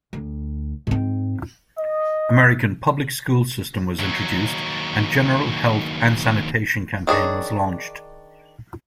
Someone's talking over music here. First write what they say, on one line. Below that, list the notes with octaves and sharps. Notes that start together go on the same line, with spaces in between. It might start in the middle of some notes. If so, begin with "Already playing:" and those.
American public school system was introduced and general health and sanitation campaign was launched.
D2
G#2 C4
D#5
D#2 F#3
D#3 D4 G#4 C#5